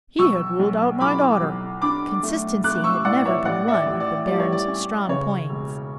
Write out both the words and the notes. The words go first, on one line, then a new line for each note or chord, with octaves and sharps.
"He had ruled out my daughter." Consistency had never been one of the Baron's strong points.
B1 C#6 E6
B1
B1 B5 D6
B1
D4 B5 D6
A3
A3 D6 F#6
C#6 E6
A2 D5 F#5
C#5 E5
A1 D5 F#5
E5
D5
A1
D5
G3 D5
C#5
D5
C#4
C#3 C#5
E1